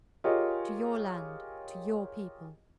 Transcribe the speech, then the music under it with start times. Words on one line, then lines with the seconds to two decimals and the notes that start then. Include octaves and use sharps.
To your land--to your people.
0.24 F4 G4 G#4 A#4 C#5 D#5